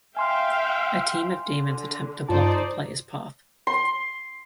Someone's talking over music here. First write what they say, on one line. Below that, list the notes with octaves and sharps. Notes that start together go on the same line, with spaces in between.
A team of demons attempt to block the player's path.
E5 F5 G5 G#5 C6 F6
D3
G2 D#4 F4 C5 D5 A5
C6